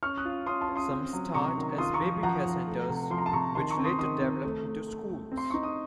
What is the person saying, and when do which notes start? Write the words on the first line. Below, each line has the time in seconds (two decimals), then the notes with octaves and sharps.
Some start as babycare centres, which later develop into schools.
0.03 C#4 C#6 F6
0.17 D#6 F#6
0.25 F4
0.46 C#4 C6 D#6
0.61 A5 C6
0.69 C#4
0.75 C6 D#6
0.91 C4
1.13 F#3
1.34 C3 A#5 C#6
1.57 D#3
1.78 F4 C6 D#6
1.94 A#5 C#6
2.02 F3
2.23 F3 F#5 A#5
2.46 F3
2.68 A3
2.89 C3
3.11 F3 C6
3.18 A#5
3.26 A5 C6
3.33 C3 A#5 C#6
3.55 D#3 A5 C6
3.70 A#5 C#6
3.78 C4
3.84 C6 D#6
3.99 D#3 C6 D#6
4.21 C4
4.44 A3
4.65 A3
4.88 A3
5.09 A3
5.32 C4
5.37 C6
5.50 D#4 C#6
5.63 D#6